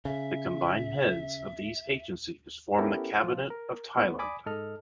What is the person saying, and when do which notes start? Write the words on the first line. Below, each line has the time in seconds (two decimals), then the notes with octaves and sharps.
The combined heads of these agencies form the Cabinet of Thailand.
0.05 C#3 E5
2.78 B3 C#4 E4 G4 A4 A#4
3.20 F3 F4
3.50 A#4
3.97 A3 B3
4.19 D5 G#5 B5 D6 D#6
4.46 G#2 A4 D#5 F6